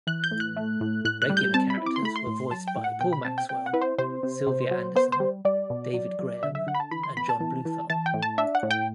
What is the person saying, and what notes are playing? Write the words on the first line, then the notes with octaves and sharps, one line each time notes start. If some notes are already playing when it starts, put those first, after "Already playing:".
Regular characters were voiced by Paul Maxwell, Sylvia Anderson, David Graham and John Bluthal.
E3 F#6
G6
A2
F#6
A3
A2
A2 F#6
F#6
G3
G6
C4 A5
B5
E4
D6
C6
A3 B5
C6
A2
F#3 A5
G5
A2
F#5
B2 G5
B5
C4 A5
G5
C4 G5
F#5
E4 B4
C5
C3 C5
C3
C3
F#3
B3 C5
C5
G3
G3 D5
B2
F#3
F#3
D3 E5
E5
D3 F#5
B5
A5
E3 B5
C6
B3 B5
A5
E3
E3
E3 A5
G5
A2
A5
D4 E5
F#5
A2
G5